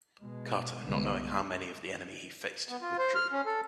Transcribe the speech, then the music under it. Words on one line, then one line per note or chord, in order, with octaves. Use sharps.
Carter, not knowing how many of the enemy he faced, withdrew.
B2 G#3
C2 D3 G#3 B3
B3
F4
C5
F6
C#4
A4